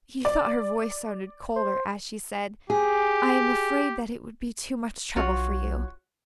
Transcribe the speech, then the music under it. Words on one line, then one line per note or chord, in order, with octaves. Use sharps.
He thought her voice sounded colder as she said: "I am afraid that it would be too much trouble for you."
D5
C5
G4 G#4
B1 F4 F#4 C#5